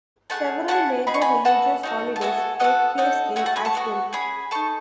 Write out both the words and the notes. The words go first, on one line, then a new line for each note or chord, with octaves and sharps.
Several major religious holidays take place in Ashvin.
A3 D#4 G#4 F#5 A5
C#4 E4 G#4 F#5 A5
B3 D#4 G#4 B5
C#6
G#5 B5
B3 F#4 A4 F#5 A5
D#4 F#4 A4
A5
B3 F#4 A4 E5 G#5
B3 F#4 A4 D#5 F#5
D#4 F#4 A4
A3 C#4 F#4 E5 G#5
F#5 A5
G#5 B5
A5 C#6
B3 F#4 A4
C#4 G#4 G#5 B5
D#4 A4 A5 C#6